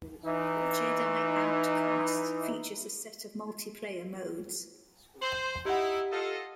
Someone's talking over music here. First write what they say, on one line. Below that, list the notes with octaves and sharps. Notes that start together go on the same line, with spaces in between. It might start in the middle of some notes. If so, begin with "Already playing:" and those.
"Jedi Outcast" features a set of multiplayer modes.
E3 D#4
C5 F#7
D#4 E4 G4 F#5
F4 A4 D#5